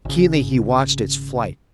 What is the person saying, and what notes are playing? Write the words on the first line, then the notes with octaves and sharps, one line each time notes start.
Keenly he watched its flight.
G#1 C#3